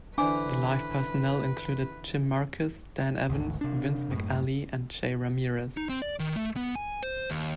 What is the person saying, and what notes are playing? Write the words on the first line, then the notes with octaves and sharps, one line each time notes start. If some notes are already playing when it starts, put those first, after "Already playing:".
The live personnel included Jim Marcus, Dan Evans, Vince McAley, and Jay Ramirez.
D3 E3 D4 B4 C5 G#5 D6
G#1 D2
C3 D4
F#2 A2
D#4
C4
D5
D#3
A3
B3
G#5
C5
D#2